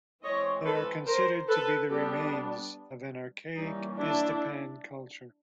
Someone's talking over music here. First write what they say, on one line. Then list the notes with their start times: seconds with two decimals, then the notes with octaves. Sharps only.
They are considered to be the remains of an archaic Iztapan culture.
0.22 E3 G#3 C4 C#5 D#5
0.64 A4 B4
1.06 A#4 C5
1.47 A4 B4
1.89 G3 B3 D4 G4 A4
3.55 E3 G3 A#3 C#4 D#4
3.97 D4 E4